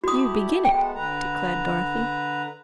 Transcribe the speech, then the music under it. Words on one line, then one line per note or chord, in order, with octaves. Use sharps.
"You began it," declared Dorothy.
A3 E4 F#4 G4 D#6
G#3 A3 B3 G5
D3 B4 A#5